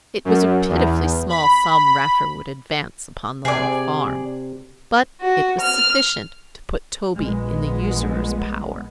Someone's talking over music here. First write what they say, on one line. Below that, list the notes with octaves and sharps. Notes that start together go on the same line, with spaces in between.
It was a pitifully small sum Raffer would advance upon the little farm; but it was sufficient to put Toby in the usurer's power.
F#2
E2
B5
C3 G#4 D5
F#4
F6
A#1 G#3 B3